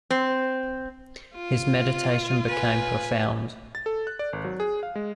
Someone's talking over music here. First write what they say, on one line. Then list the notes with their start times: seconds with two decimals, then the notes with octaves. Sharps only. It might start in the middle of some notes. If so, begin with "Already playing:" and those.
His meditation became profound.
0.10 C4
1.35 F4
2.48 B4 G#5
3.75 A6
3.86 A4
4.07 F#6
4.19 D5
4.33 G#1
4.44 F#3
4.60 G#4
4.83 F5
4.95 G#3